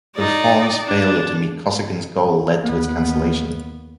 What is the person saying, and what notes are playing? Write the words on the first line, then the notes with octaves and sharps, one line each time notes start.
The reform's failure to meet Kosygin's goal led to its cancellation.
D#4 D5
D4
D#2 B3